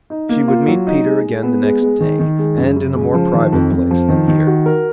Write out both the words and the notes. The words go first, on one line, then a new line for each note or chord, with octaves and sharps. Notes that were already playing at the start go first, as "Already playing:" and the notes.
She would meet Peter again the next day, and in a more private place than here.
D#4
A#3
F4
F#3
D#4
G#3
G#3
B3
G#3
G#3
D#3
D#3
G#3
F#2
C#3
G#3
F3
D#3
F2
F2
F3
D#3
D#3
F#4
A#4